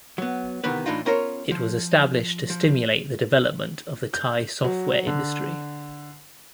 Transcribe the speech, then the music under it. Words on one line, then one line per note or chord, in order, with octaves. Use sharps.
It was established to stimulate the development of the Thai software industry.
F#3 B3
C3 D#3 E3 B3 B4
A2 E3 D4 D#4 F4
B3 C#4 F4 A#4 C5 C#5
F3
F3
G6
F#3
D3